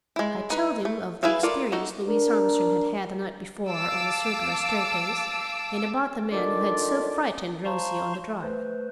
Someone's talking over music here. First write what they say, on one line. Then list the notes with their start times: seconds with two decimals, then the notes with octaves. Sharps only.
I told him of the experience Louise Armstrong had had the night before, on the circular staircase, and about the man who had so frightened Rosie on the drive.
0.16 G#3 E4
0.50 D#4 B4
0.85 A3
1.23 E4 G#4 B4 E5 F5
1.43 F4 A4 A#4 D5
1.72 D#4 F#4 A4
2.07 D4 A#4
3.69 F5 A5 D6 E6
6.31 D#3 A3 D4 F4 D5
7.65 C5 F5 A5 A#5 C6 C#6
8.41 A3 B4 C5